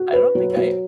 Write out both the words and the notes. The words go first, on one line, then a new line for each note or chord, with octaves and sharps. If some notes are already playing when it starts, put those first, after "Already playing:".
I don't think I
Already playing: F#4
B4
F#3
F#3